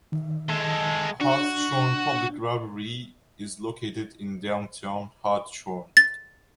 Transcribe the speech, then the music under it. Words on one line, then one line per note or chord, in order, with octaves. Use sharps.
Hartshorne Public Library is located in downtown Hartshorne.
D#3
G#3 A4
D4 F#4
A6